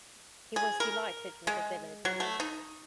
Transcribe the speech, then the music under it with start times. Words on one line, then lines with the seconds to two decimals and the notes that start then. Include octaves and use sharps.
He was delighted with the village.
0.56 G#4
0.80 A#4
1.47 G#3
2.05 F#3
2.20 A3
2.40 D#4